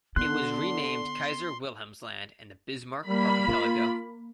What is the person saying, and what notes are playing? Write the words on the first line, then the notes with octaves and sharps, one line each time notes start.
It was renamed Kaiser-Wilhelmsland and the Bismarck Archipelago.
D3 B3 C6 F#6
G3 A#3 B5
F4